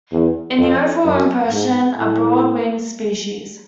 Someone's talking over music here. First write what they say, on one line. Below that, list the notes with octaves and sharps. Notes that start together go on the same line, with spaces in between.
In the overall impression a broad-winged species.
E2
F2
F#2
G#2
A2